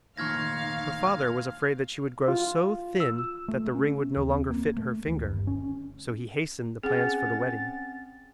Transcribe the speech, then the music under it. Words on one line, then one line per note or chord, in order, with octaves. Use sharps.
Her father was afraid that she would grow so thin that the ring would no longer fit her finger, so he hastened the plans for the wedding.
F1 A#2 D#3 F5 C#6 F6 G#6 A#6
F4
E6
A3
C#4
D#2
C4
A#3
A3
D#2
G1
C#4
C4 C#4 G#4 F#5 A6